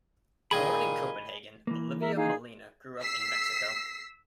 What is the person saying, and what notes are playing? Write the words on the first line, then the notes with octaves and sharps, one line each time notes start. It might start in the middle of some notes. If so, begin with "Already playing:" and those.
Born in Copenhagen, Olivia Molina grew up in Mexico.
A#2 D#3 G#4 D#5 G#5 B5
E3 A#3
A#4 E5
D#4 G#4 F5
E6 B6 C7